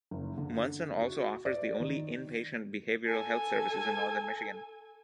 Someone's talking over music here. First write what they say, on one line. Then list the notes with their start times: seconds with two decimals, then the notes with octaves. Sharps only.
Munson also offers the only inpatient Behavioral Health services in northern Michigan.
0.11 F#1
0.38 D3
1.01 F#4
1.45 D5
1.80 D#3
3.07 A4 G#5